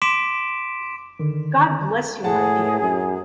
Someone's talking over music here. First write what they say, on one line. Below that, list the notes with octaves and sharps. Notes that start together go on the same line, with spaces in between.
God bless you, my dear!
C6 D6 B6 D7 E7
D3 D#3
A2 G#3 G#4 F#5 A5
F#2